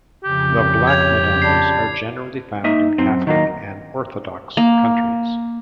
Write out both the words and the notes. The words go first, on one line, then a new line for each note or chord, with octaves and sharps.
The Black Madonnas are generally found in Catholic and Orthodox countries.
F2 C#3 G4
C#5 G#6 F7
D5 A5 B5 C7
A#3 D#4 D#5 E5
F#2 C4
D#3 F#3 A#3 D#5
A#3